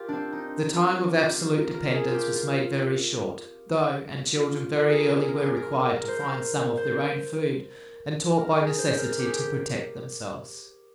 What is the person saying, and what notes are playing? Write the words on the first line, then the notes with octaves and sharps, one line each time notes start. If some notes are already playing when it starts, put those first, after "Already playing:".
The time of absolute dependence was made very short, though, and children very early were required to find some of their own food, and taught by necessity to protect themselves.
Already playing: F4 G4 A#4
C4 D4
D#4
F4
G4
F4
A#4
A#4
G#4
F4
G4
F4
F4
A#4
G#4
A#4
G#4
A#4
G#4
A#4
A#4
C5
A#4
C5
A#4
G#4
C5
A#4
G4
G#4
G4